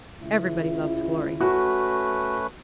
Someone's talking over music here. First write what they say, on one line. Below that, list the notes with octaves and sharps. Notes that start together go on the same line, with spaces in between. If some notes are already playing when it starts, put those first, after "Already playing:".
Everybody loves Glory.
C#2 E4
A3 C#4 F#4 B4